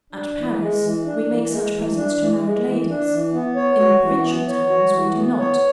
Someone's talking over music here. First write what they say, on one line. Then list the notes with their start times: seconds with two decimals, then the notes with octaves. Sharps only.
At Paris, we make such presents to married ladies; in the provincial towns, we do not.
0.13 D4
0.37 E3
0.59 G#3
0.82 E3
1.05 D4
1.27 E3
1.51 G#3
1.74 E3
1.96 D4
2.19 E3
2.42 G#3
2.64 E3
2.88 D4
3.10 E3
3.33 B3
3.56 C#5
3.80 F#4
4.02 E3
4.24 B3
4.48 C#5
4.70 F#4
4.93 E3
5.15 B3
5.39 C#5